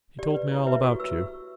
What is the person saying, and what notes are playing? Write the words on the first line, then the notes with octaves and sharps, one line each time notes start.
He told me all about you....
G4 D5
D5
B4
E4 C#5
B4 E5
F#4 C#6
B4 E6